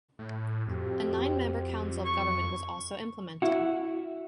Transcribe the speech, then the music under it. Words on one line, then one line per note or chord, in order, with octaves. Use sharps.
A nine-member council of government was also implemented.
A2
F2 C4 F#4 G4
C#6
E4 F#4